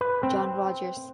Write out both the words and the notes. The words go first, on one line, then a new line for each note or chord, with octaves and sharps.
John Rogers.
B4
C4